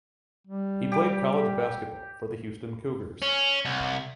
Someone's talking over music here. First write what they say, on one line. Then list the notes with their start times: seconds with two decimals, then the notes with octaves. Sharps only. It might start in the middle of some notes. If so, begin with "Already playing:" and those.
He played college basketball for the Houston Cougars.
0.47 G3
0.92 G4 D6
3.22 C#4
3.65 C2